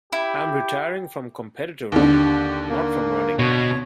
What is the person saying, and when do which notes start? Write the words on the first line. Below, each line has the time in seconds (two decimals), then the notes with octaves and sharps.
I'm retiring from competitive running, not from running.
0.12 E4 G4
1.92 D#2 D3 G4
2.69 A#3
3.39 B2 C#5